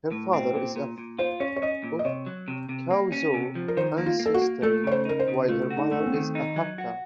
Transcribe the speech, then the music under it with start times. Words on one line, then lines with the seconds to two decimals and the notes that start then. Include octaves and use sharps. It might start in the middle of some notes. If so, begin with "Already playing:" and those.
Her father is of Chaozhou ancestry while her mother is a Hakka.
0.12 A2
0.33 C4
0.55 A#2
0.76 A#2
0.98 A#2
1.19 F4 C5
1.40 C#4 C#5
1.56 C#5
1.62 C#4 D#5
1.84 A#2
1.99 D#5
2.05 C3 C#5
2.26 F#3
2.48 C3
2.69 C3
2.91 A#3
3.12 C#4
3.34 C3
3.55 F3
3.68 A#4
3.77 D#3 C5
3.98 A#3
4.06 F4
4.20 A#3
4.26 A4
4.34 F#4
4.42 A#3
4.62 A3 A4
4.84 C#3 C#5
4.92 C5
5.05 D#4 A#4
5.20 C5
5.28 C#3
5.48 A3 F4
5.70 F#4
5.77 D#4
5.92 A3 D#4
5.99 C#4
6.06 C4
6.14 D#3
6.35 D#4
6.56 F#3
6.78 F#4